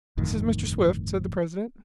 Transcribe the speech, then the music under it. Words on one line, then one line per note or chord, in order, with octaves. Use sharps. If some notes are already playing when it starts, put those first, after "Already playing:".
"This is Mr. Swift," said the president.
G1 F2 A2 D#3